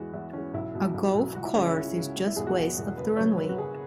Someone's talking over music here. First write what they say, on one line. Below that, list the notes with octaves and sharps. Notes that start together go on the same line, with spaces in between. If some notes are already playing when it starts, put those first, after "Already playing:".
A golf course is just west of the runway.
Already playing: E2 E3 G#3 F#4
E2 E4
E3 G#3 C#4
B1 E4
B2 F#3
B1
B2 F#3
C#2 F#4
E4
C#3 G#3 C#4
E4
C#2
C#3 G#3
E1
E4
E2 B2 G#3 G#4
F#4
E1
E2 B2 G#3
F#1 B4
F#2 C#3 F#3 C#5
F#1 B4
F#4
F#2 C#3 F#3 G#4